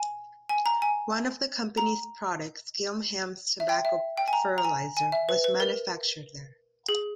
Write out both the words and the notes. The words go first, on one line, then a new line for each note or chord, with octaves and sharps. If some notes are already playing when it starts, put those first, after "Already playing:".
One of the company's products, Gilham's Tobacco Fertilizer, was manufactured there.
Already playing: G#5
G#5
A#5
G#5
A#5
E5
G5
E5
G5
G#5
A#5
A#5
G#5
G#5
E5
B4
B4
A#4
G#4